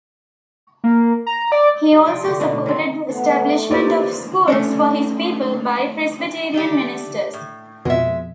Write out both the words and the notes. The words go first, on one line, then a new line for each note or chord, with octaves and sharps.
He also supported the establishment of schools for his people by Presbyterian ministers.
A#3
A#5
D5
G3 E5
C3 F3 D4 G5
D3 F#4
B2 F#3 D4 B4
A2
D#3 F#3 C4
A3 B3
A#3 F4 G4 B4 C5 D5 C#6
A3 C#4 D4
A3 D4 G4
A2
F2 B2 G#3 E5